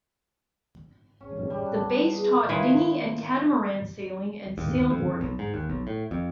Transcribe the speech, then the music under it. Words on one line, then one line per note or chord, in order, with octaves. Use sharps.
The base taught dinghy and catamaran sailing and sail-boarding.
C#4
G2
G3
D4
B2
E3
G#4
C3
C#2 D#3 E4 F4 B4 G#5
D#2
F2
B1
G#2
D#2
B1
A2
F2